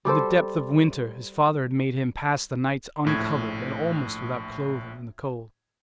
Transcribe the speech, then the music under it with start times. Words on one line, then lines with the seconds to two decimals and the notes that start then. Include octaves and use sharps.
In the depth of winter his father had made him pass the nights uncovered and almost without clothing in the cold.
0.05 G3 G4 A4 C5
3.04 A#1 A2 G#6